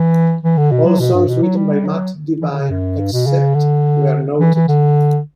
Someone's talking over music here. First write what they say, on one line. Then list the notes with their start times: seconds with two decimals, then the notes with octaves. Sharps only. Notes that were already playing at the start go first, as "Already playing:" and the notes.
All songs written by Mat Devine, except where noted.
Already playing: E3
0.43 E3
0.57 D3
0.71 B2
0.85 F#3
0.99 B2
1.14 G2
1.28 B2
1.42 F#3
1.56 G3
1.85 F#3
2.41 E3
2.51 D3
2.60 C#3
2.70 F#2
2.98 G2
3.13 B2
3.27 C#3
3.55 D3
4.40 E3
4.54 E3
4.68 D3